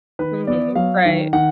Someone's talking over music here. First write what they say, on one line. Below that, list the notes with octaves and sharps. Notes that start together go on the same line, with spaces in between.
Mhm, right.
D#3 B4
B3 D5
F#3 F5
D#3
D#3 F#5